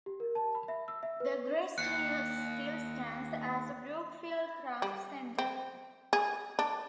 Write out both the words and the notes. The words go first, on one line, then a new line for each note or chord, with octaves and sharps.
The grist mill still stands, as the Brookfield Craft Center.
G4
A#4
A5
B5
E5
E6
E5
B4
D#2 F#6 C#7
G3
C4
G#4
D4